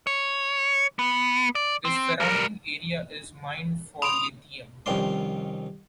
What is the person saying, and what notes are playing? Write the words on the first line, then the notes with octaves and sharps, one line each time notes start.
The surrounding area is mined for lithium.
C#5
B3
D5
C4
G3 A#4
B5 C6 D#6 D7 F7
C2 F2 D#3 C#4 D5 C6